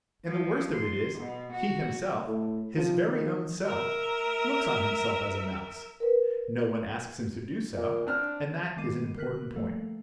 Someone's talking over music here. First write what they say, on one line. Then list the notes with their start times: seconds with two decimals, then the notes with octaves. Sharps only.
And the worst of it is, he himself, his very own self, looks on himself as a mouse; no one asks him to do so; and that is an important point.
0.28 F3
0.74 C6
1.20 B2
1.54 F#4
2.27 A2
2.75 F3
3.06 D#3
3.65 A#4 E5
6.00 A#4 B4
7.76 A#2
8.07 C4 D4 F6
8.77 D#3 G#3 B3 D6 C7 D#7
9.17 D3 A#4 F#6 B6 F#7
9.55 F3 G3 A3 A#3 A4 F5